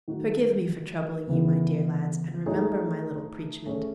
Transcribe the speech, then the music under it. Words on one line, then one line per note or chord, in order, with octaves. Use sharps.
Forgive me for troubling you, my dear lads, and remember my little preachment.
D#3 F#3 A3 D#4 F#4
C#3 E3 B3 E4 G#4
A3 D#4 G#4 C#5
A3 C#4 G#4 C#5